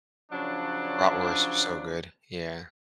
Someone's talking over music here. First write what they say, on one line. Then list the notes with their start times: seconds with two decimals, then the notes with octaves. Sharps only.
Bratwursts are so good, yeah.
0.31 C#3 F3 F#3 D4